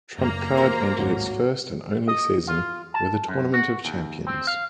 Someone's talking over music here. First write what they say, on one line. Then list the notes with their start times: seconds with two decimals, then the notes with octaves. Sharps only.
"Trump Card" ended its first and only season with a tournament of champions.
0.18 F#1 A#3 A#5
0.57 E3 F#4 A#4 C5
0.98 G#1 D2 A2 F#3
2.07 D#5
2.47 F4
2.94 A5
3.28 F#2
3.54 F#4
3.85 D#2
4.27 C4
4.47 F5